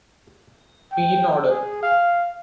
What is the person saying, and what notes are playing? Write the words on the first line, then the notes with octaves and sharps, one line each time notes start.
Be in order.
G5
G#4
F5